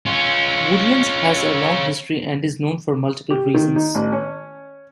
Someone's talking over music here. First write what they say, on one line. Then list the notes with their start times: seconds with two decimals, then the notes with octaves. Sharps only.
Woodlands has a long history and is known for multiple reasons.
0.06 C#4 F4
3.31 G4
3.54 D#3
3.76 D#4
3.95 A1
4.12 C#4